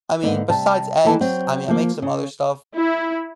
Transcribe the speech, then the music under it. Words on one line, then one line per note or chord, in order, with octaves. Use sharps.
I mean, besides eggs, I mean, I make some other stuff.
G#2 D3 A#3 B3
C3 G3 A5
D#3 E3 A#3 A4 A5
F#3 C4
F3 A#3
C#3
E4